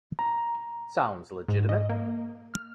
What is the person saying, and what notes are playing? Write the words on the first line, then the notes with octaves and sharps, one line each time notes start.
Sounds legitimate.
A#5
G#2
D#5
A#3
F6